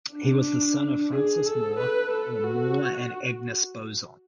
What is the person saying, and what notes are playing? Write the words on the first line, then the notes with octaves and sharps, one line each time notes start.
He was the son of Francis More or Moore and Agnes Bozon.
D4
G#4
A4
B4
A4
F#4